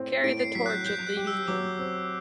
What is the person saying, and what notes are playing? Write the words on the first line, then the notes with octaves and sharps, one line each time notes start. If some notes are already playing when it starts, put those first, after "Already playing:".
Carry the torch of the Union!
Already playing: A2 C4
A2 D7
C7
F#3 B6
F#6
G6
F#3 G6
F#6
G4
E6
F#3 D6
C4